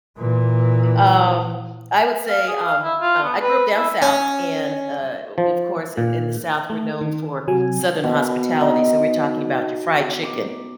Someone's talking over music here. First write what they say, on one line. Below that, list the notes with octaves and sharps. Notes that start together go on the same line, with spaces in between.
um, I would say, um, uh, I grew up down south, and, uh, of course, in in the South, we're known for southern hospitality, so we're talking about your fried chicken,
A#2 E3
F5
G#4
F5
E4
F4
B3
B4
E4
C#4
F3
A#2
A3
D#3
C3 F#3 G#5
B2
D#4
D6